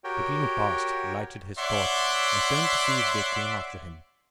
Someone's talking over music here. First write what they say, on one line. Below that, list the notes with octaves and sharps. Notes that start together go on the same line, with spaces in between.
Peppino passed, lighted his torch, and turned to see if they came after him.
F#4 G4 A#4 C#5 G5
C#5 D5 E5 F#5 C6 D6